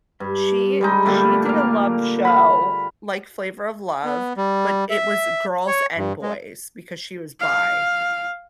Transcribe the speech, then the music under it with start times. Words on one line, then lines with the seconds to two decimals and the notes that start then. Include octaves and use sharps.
she d she did a love show, like, Flavor of Love, but it was girls and boys, because she was bi.
0.20 G2
0.81 G3 G#3 D#4
1.05 A#2 D3 G3 A3
1.46 A#3 F5
2.25 F5 B5
4.04 B3
4.37 G3
4.90 E5
5.67 C#5
5.97 G2
6.22 G#3
7.40 F5